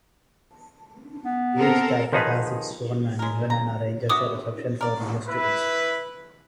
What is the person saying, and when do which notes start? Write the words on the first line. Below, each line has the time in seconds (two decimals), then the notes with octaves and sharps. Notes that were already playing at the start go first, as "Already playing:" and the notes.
Each chapter has its own management and arranges a reception for new students.
1.25 B3
1.58 C4 A4 A#4
2.12 D#3 F3 D#4 G#4 B4
3.19 G#3 A#4
3.50 A#5
4.09 D4 F#4 E5 D6 D#6
4.81 A#4 D5
5.28 E4 B4